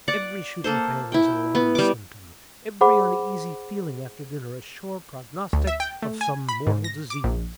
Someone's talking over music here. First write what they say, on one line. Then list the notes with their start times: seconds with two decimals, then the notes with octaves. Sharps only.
Every shooting pain was an alarming symptom,--every uneasy feeling after dinner a sure prognostic of some mortal disease.
0.08 D5 F#5
0.64 A#3 A4 C5
1.12 E4 G5
1.55 B3
1.75 G3 D6
2.81 G#4 C5 F#5 B5 D6
5.53 D2
5.67 E5
5.80 G5
6.02 A3
6.21 G#5
6.49 B5
6.67 G#2
6.84 A#6
7.10 D6
7.24 A#1